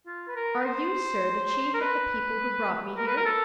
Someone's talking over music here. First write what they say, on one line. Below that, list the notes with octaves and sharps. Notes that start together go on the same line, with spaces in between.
"Are you, sir, the chief of the people who brought me here?"
F4
B4
A#4
B4
C5
A#4
B4
A#4
B4
A#4
A4